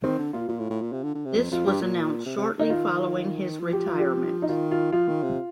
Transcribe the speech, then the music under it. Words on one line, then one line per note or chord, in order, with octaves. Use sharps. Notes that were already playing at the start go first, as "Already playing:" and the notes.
This was announced shortly following his retirement.
D#3 C4
D3
A#2 F4
A#2 F4
A2
A2
A#2
C3
D3
D3
C3
F2
F2 F4
G2 G4
A#2
C3
C3
D#3 D#4
F4
F3
G4
F4
G4
D#4
D#3 F4
F4
F3 F4
D#3
C3